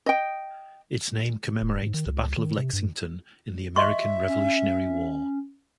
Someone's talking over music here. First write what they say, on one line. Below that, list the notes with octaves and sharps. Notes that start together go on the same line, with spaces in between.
Its name commemorates the Battle of Lexington in the American Revolutionary War.
D#5 G5
D#1
G#2
D#3
C#2
D#3
C3
G2
D#5 E5 C6 C#6
C#4